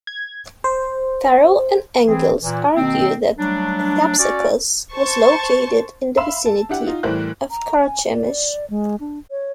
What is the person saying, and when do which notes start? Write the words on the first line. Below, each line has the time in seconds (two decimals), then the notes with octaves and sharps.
Farrell and Engels argue that Thapsacus was located in the vicinity of Carchemish.
0.07 G#6
0.64 C5
2.07 E3 C4 G#4
2.42 A#2 E3
2.75 B2 D#3 A#3 C4
3.38 F#3 G3 A3 D4
4.18 C#4 F#4 D5
4.94 C5 A5 C#6
6.17 E5 F5 B5 C6 E6 E7
6.46 A5
6.69 D4 E4 G4 F#5
6.87 D#4 F4
7.03 A2 E3 G3 A#4 C5 F#6
7.51 A#5
7.85 G#5
8.12 D5
8.70 G#3
9.00 D4
9.31 C#5